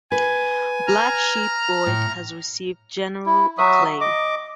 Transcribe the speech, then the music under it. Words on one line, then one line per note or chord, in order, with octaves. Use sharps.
"Black Sheep Boy" has received general acclaim.
B4 G#5
A#5 F6
A2
E4
F#3 F#4 E5 D#6
D#5 D6